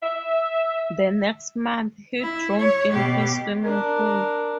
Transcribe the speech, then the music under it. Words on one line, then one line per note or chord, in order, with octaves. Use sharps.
The next month he drowned in his swimming pool.
E5
E4
C#5
B2 G4
D4 A#4